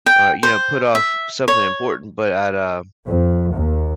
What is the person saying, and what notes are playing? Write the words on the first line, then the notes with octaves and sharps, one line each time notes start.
or, you know, put off something important, but I'd, uh
G5
C5
E5
C#5
F2
D#2